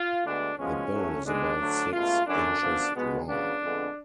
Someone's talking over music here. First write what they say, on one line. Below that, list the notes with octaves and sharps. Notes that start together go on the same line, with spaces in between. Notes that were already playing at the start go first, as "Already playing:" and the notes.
The bill is about six inches long.
Already playing: F4
D2 D3 G#3 B3 D4
F#2 F3 G#3 B3 C#4
A2 F#3 A3
G#2 G#3 B3 D4
D2 D3 F#3 A3
C#2 B2 A3 F4
F#2 D3 F#3 D4
F#2 F3 B3
B2 G#3 B3
C#2 C#3 F#3 B3 D4
F2 D3 G#3 B3